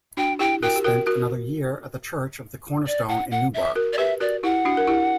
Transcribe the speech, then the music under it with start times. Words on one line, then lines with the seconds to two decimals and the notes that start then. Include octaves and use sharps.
He spent another year at the Church of the Cornerstone in Newburgh.
0.17 D4 F#4 G5
0.39 E4 G4 G5
0.63 F#4 A#4 G5
0.76 G4
0.84 F#4 A#4 G5
1.06 F#4 A#4
2.87 D5
3.09 F#5
3.31 F#5
3.54 E5
3.75 F#4 A#4
3.93 D5
3.98 G4 B4 E5
4.20 F#4 A#4 D5
4.43 E4 G4 F#5
4.65 D4 F#4
4.77 A#4
4.87 E4 G4